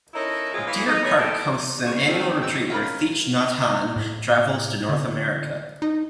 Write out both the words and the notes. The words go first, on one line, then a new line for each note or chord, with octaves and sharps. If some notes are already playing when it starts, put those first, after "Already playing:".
Deer Park hosts an annual retreat when Thich Nhat Hanh travels to North America.
C#4 D#4 E4 A4 A#4 C#5
C#3 G#3 C4 C#4 F4 G#4
A#2 E3 G3 D#4 D#5 F5
D#4
G2 G3 B3 G#4 C#5
E3 A3 D#4 E4 G4 A4
C#3 C#6
D#3 F3 A3 C4
G#1 G5 E6
C#4 F4 A#4 B5
A2
D3
D#4